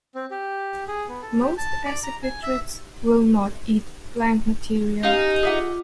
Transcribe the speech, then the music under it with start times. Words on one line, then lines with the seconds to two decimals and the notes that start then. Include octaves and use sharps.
Most accipitrids will not eat plant material.
0.15 C4
0.31 G4
0.88 G#4
1.08 B3
1.22 A4
1.41 G4
1.58 A5
1.85 D5
2.03 A#5
2.23 G#5
2.43 E5
5.03 C#4 D#4 G4 F5
5.43 F4 G#4 E5 F#5 D6